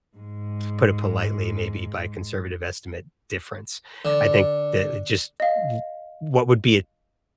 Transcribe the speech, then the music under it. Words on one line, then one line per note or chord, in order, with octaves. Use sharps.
to put it politely, maybe by conservative estimate, difference, I think that it just w what would be a
G#2 G#3
D3
D#5 F5